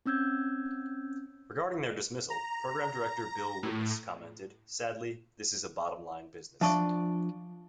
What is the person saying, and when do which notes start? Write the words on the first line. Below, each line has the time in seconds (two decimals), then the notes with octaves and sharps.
Regarding their dismissal, Program Director Bill Louis commented, sadly, this a bottom-line business.
0.06 C4 C#4 E6 G6 G#6
2.30 A#5
3.63 A2
6.61 F3 D4 D5 E5 A5 C#6